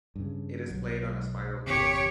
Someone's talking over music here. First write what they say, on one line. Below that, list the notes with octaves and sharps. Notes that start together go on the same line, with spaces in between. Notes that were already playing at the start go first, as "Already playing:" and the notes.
It is played on a spiral course.
G2 C#3
B1 F#3
G1 E2 C3 G4 C#5